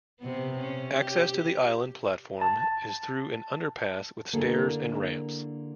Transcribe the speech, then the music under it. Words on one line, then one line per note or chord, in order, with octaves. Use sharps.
Access to the island platform is through an underpass with stairs and ramps.
C3 B3
C#4
G4
A5
D3 A#3 E4 G#4 A4